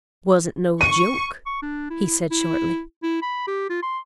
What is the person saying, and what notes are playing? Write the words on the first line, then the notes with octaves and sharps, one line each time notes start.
"Twusn't no joke," he said shortly.
C#6 D#7
C#6
D4
E4
E4
E4
B5
G4
F4
C6